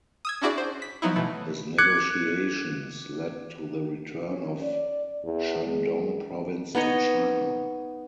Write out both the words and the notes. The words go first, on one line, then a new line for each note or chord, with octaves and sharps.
His negotiations led to the return of Shandong Province to China.
D#6 E6 G#6
C#4 D4 E4 F#4 G#4 D5
C5
B6
F3 F#3 B3 D#4 E4
B2 E3 A3
D6 F#6 G#6 C#7
C#4
D5
E2
G#3
B3 D#4 C#5 D#5